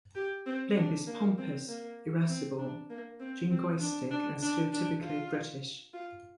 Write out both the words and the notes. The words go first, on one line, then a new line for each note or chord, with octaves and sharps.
Blimp is pompous, irascible, jingoistic, and stereotypically British.
G4
C4
D4
A#3
C4
A#3
C4
D4
A#3
C4
C4
D4
D4
D4
D4
F4
F4